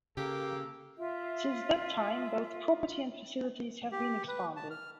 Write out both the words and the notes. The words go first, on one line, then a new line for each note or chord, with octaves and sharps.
Since that time, both property and facilities have been expanded.
C#3 A#3 G4 A4
F4 E5
G4
B4
A5
F6